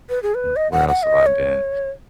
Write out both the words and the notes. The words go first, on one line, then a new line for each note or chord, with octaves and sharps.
like, where else have I been?
B4
G#4
B4
D#5
F#5
F#5
D#5
C#5